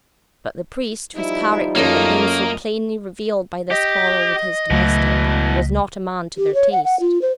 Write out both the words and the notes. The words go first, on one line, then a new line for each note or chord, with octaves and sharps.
But the priest, whose character had been so plainly revealed by this quarrel with his domestic, was not a man to their taste.
F3 G3 D#4 E4
F#2 A#3 C#4 F4 A4 D#5
G4 D#5
C#2 B2 E3 F#3 A3
G4
C#5
F#5
F#5
F4
C5